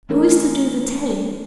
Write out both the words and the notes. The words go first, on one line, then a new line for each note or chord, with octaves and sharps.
"Who is to do the telling?"
E3 A3 C#4 D#4 A#4 C#5